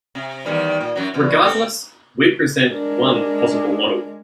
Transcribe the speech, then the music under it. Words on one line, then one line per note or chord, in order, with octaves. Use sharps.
Regardless, we present one possible model.
C3
E2 D#3 G3
A#2
F#2 F#3
E2 B2
C4 A4
G#3 D4 A#4